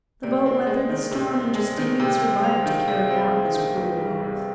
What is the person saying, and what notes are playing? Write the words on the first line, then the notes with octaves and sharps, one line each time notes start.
The boat weathered the storm, and Justinian survived to carry out his cruel oath.
C3 D5
C4
G#3
D#3
C3
C4
G#3
D#3
C3 G5
C4
G#3 F5
D#3
C3 G#4
C4
G#3
D#3
G1
G3
C3